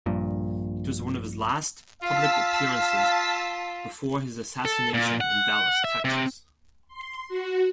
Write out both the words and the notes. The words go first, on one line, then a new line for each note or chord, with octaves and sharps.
It was one of his last public appearances before his assassination in Dallas, Texas.
A#1 G2 A#2
F4 F5 A5 E6 B6
A4
A#2
F#5
E5
C3
C6
F#4